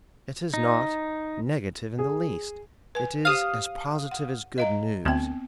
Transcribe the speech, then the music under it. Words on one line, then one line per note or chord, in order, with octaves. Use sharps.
It is not negative in the least; it is as positive as good news.
D#4
G#4
B4 G#5
G4 C5 F5 D#6
F#5
D#5 F5 A#5
D2 B3 C4 G5